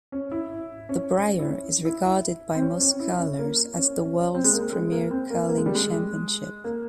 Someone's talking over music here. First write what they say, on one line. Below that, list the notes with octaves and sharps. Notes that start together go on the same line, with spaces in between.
The Brier is regarded by most curlers as the world's premier curling championship.
C#4
E4
C#4
E4
C#4
E4
E4
C4
C#4
C#4
E4
C#4
A#3
C#4
C#4
C4
G#3
A#3
G#3
A#3
C4
A#3
A#3
G#3
G3
G#3
A#3